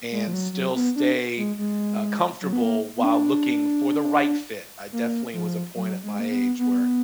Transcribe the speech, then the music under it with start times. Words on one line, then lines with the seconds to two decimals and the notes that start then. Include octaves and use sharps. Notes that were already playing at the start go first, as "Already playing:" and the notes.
and still stay, uh, comfortable while looking for the right fit. I definitely was a point at my age where
0.12 G#3
0.27 F3
0.33 F#3
0.53 F#3
0.74 B3
0.96 D4
1.37 G#3
1.58 G#3
2.41 F#3
2.53 B3
2.62 A#3
2.97 B3
3.04 D4
4.92 A#3
5.33 F3
5.75 F#3
6.03 G#3
6.20 A#3
6.31 B3
6.59 B3